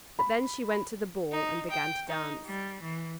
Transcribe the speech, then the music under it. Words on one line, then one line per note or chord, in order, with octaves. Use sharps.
But then she went to the ball and began to dance.
B5
D#4
G5
D#4
G3
E3